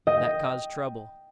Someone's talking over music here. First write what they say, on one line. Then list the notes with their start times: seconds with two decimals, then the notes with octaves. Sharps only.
That caused trouble.
0.07 D#5 G5